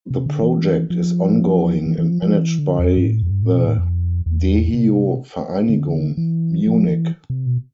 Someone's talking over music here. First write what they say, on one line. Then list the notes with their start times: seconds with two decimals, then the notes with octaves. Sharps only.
The project is ongoing and managed by the 'Dehio-Vereinigung', Munich.
0.10 C3
0.26 D3
0.42 E3
0.90 F3
1.86 E3
1.98 E3
2.10 F3
2.22 F3
2.34 E3
2.59 D3
2.79 E2
2.88 F2
2.97 G2
3.06 A2
3.22 F2
3.30 G2
3.42 A2
3.54 B2
3.66 A2
3.78 F2
4.26 E2
4.74 C3
5.69 D3
6.17 E3
6.66 F3
6.90 E3
7.30 C3
7.46 B2